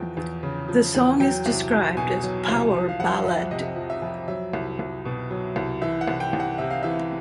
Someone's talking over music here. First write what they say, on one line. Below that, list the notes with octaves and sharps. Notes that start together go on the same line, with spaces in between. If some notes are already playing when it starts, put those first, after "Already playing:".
The song is described as "power ballad".
Already playing: E2 F3 G5
E2
C#3
F3
E2
F#3 G5
C2
C2
B2 G#5
F#3
C2
F3
F5
F2 F#5
F2 E5
C3 D#5
F3
E5
F2
F#3 E5
C2
C2
B2
F#3
C2
E3 E5
F#5
C2
G5
C2
F#5
C3 E5
F5
E3 E5